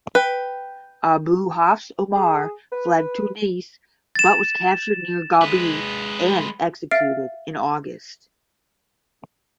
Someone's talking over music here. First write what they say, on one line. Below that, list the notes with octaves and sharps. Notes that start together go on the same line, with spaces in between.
Abu Hafs Umar fled Tunis but was captured near Gabes and executed in August.
B4 G5
G#4
B4
A6 E7
G#3 B4
E5 F5 F6 A6 C7 D7